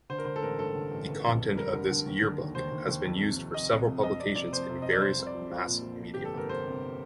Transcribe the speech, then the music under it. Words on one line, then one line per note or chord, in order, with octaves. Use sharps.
The content of this year-book has been used for several publications in various mass-media.
D3 C5
A#4
D3 C5
A4
A1 A#4
G2 A4
D3
A1
G1
F2
F2
G3 A#4
D3
D3
D#2
D3
D#2
D#2 C5
D#2
D#2
F2
C3
F2
C3 D#5
C3
F2
F2 D#5
C3 D5
F2 D5
F2 C5
C3
F2 D#5
D5
C2 C5
C2
D5
F3
F3
A#2
F3
F2
G1 G4
A4
G1 A#4
C3 C5
C3